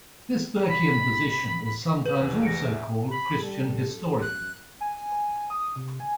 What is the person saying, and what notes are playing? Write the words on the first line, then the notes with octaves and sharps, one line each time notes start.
This Burkean position is sometimes also called Christian Historian.
B5
B4
A#1 E2 E6
A#6 C#7 D7
E5
B5
G3 A4
F#2
F#6
G#5
D#6
C3
G#5